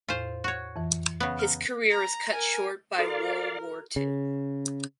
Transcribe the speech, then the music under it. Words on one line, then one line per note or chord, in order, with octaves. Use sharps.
His career was cut short by World War Two.
E2 A2 F4 C5
F#4 C#5
F2 E3
C#3 B3
A#5 F6
A#5
A#4 G#5
F#4 A4 A#4 D5 F5
C#3